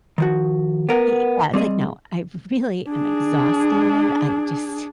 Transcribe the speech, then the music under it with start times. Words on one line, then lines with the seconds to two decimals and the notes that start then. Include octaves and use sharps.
I Yeah, it's like, "No, I really am exhausted. I just
0.18 D#3 F3 F#4
0.89 B3 A#4 F#5
1.54 G3 C4 G#4 D#5
2.89 D4 G#4